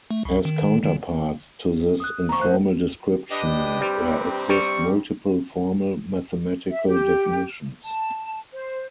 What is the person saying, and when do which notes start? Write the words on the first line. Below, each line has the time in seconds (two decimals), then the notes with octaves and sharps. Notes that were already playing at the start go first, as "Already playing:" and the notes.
As counterparts to this informal description, there exist multiple formal, mathematical definitions.
0.11 A3
0.25 C2
0.45 D#3
0.83 D#3
2.00 D#6 F#6
2.29 D2 F3 A#5 C#6
2.42 F#6
3.31 D4 G4 B4 D#5 G5
3.81 G2 C3 G3 C4
4.49 G3 C#6
6.71 E5
6.87 G4
7.83 A5
8.53 C5